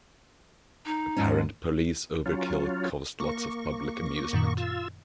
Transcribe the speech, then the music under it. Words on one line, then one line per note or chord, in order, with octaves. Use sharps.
Apparent police overkill caused lots of public amusement.
D#4
G#2 F3 C#4
F#3 C#4 F4
A#3 C#6
F#2 A#2 D#3
F4 E6